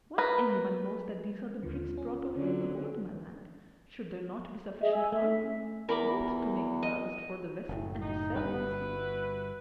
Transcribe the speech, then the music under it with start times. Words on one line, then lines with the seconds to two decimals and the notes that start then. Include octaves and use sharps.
Why, anyone knows that these are the bricks brought over in the hold, my lad, should there not be sufficient cargo, both to make ballast for the vessel and to sell once here.
0.18 A#4 B4
1.63 D#2 D3 F4
1.98 C#4
2.34 D3 F#3
4.81 G#4 D#5 E5
4.93 G#5 E6
5.12 A3 E5
5.89 E2 A#4 B5 D6
6.83 D#5
7.69 F#1 A2
8.02 D#4
8.35 G1 G2 G3 E4 F#4 B4